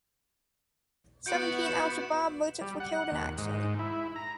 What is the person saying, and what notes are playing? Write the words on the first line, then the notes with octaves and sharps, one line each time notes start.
Seventeen Al-Shabaab militants were killed in action.
B3 E4 F#4 G6 C#7 D7
E7
G3
F#5
D#2
G#2
E4
A#5